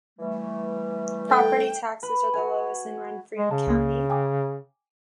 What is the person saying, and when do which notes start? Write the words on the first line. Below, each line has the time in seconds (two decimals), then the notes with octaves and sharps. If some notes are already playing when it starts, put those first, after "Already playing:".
Property taxes are the lowest in Renfrew County.
0.19 E3 G3 A3
1.30 A4 G5
2.03 B4
2.34 F#4 G#5
3.37 G#3
3.51 C#3 A5
3.67 C#2 A#3
4.10 G5 G#5 D6